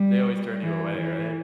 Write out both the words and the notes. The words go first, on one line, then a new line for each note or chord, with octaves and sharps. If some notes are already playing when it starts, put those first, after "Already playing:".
They always turn you away, right?
Already playing: G3
E3
E3